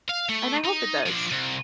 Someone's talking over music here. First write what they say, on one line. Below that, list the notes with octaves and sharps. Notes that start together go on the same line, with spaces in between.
and I hope it does,
F5
A3
D#4
F3 D4
C2